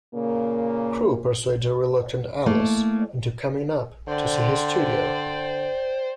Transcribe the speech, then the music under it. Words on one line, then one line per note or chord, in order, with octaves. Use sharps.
Crewe persuades a reluctant Alice into coming up to see his studio.
A#2 C#3 A#3
A3 A#3 E4
D3 C5 D5 G5